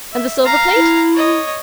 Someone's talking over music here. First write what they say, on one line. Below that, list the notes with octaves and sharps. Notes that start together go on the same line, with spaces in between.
"And the silver plate?"
E5
F5 A#5
E4
C#5 D#5